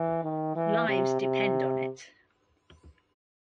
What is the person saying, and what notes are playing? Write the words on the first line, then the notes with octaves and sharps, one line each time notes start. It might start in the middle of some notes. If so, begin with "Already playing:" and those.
Lives depend on it.
Already playing: E3
D#3
E3
C3
C3